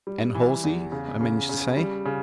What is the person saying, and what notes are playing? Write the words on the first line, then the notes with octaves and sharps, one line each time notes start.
"And Halsey?" I managed to say.
G3
E3
E2
C#3
C#3
C#3
G3
C#3